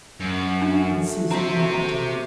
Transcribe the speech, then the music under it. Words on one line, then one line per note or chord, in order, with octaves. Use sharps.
And Susan went.
F#2
A3 D4 F#4
C4 E5 A#5
A#5